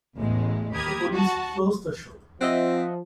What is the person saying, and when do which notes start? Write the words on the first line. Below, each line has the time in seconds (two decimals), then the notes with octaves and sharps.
The police closed the show.
0.16 A1 E2 A2 G#3
0.74 D#2 G4 A#4 B5 D#6 G#6
1.14 F#4 A5
2.41 F3 C4 D#5 E5 F#5